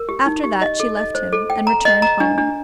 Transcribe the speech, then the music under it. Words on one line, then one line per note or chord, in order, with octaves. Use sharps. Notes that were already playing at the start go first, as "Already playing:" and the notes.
After that she left him, and returned home.
Already playing: A#4
G4
D#4
G4
D#5
A4
D#5
C5
A4
G5
A#5
D#5
A#5
D4
D4